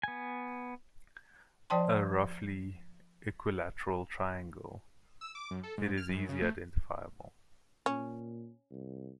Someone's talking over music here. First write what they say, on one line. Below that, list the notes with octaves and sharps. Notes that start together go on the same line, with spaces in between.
A roughly equilateral triangle, it is easily identifiable.
B3 G#5
F3 C5 D5 G5 A5 C6
E6
D6
F#2
A4
G#2
F6
F#2
C#3
A3
A#2 C#4
C2